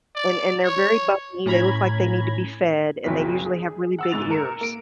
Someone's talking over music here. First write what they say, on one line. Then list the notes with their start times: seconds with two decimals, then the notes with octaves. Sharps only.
and and they're very bumpy, they look like they need to be fed and they usually have really big ears.
0.15 D5
0.63 C#5
1.46 A2 C#4 A#5 B5 G#6
3.04 F#1 B1 F2 F#3 B6
3.46 G#4
3.99 F#5 E6 A6
4.11 F#1 G#2 A6 F7
4.30 A#4 C#7 E7
4.61 A#3 D7